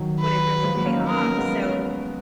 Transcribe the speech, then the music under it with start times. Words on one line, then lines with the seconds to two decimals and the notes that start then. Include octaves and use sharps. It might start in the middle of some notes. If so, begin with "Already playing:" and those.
would it really pay off, so,
Already playing: D#3 F#3
0.19 B4
0.64 F3 G#3
0.75 F#3 A#3
0.85 A#3 C#4
0.96 B3 D#4
1.08 A#3 C#4 A#4
1.22 A#3 C#4
1.32 A#3
1.37 G#3 B3